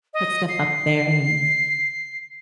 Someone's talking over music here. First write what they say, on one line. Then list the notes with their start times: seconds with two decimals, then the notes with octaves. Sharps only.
put stuff up there and,
0.14 D#5
0.49 C7